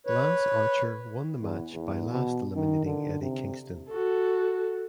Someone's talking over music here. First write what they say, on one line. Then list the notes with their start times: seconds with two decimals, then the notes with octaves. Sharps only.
Lance Archer won the match by last eliminating Eddie Kingston.
0.07 B4 C#5
1.43 E2
1.74 E2
2.10 B2
2.56 D#3
2.86 D3
3.22 C3
3.89 F#4 A4